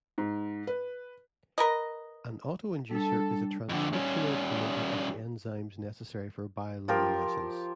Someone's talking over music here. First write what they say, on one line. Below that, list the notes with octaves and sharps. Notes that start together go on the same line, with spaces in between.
An autoinducer is a transcriptional promoter of the enzymes necessary for bioluminescence.
G#2
B4
A#4 B4 D#5
G3 D4 A4
F2 D3
G3 C#4
F3 F4 G4 A#4